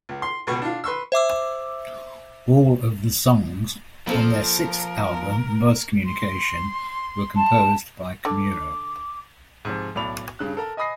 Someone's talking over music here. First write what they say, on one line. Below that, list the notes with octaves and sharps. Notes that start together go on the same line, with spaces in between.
All of the songs on their sixth album "Buzz Communication" were composed by Komuro.
C#2
C6
C#2 B2 C#6
D4 F4
B4 C6 C#6 E6
C5 E5 D6 E6
F3 A#3 C4 A4 A#4
C6
A5
D3 D6
G#2 C3 F3
B1 A2 D5 B5 F7
G2 C#3 F#6
A4 A#4 A#5
D#5 G#5 B5 D#6 A#6 C7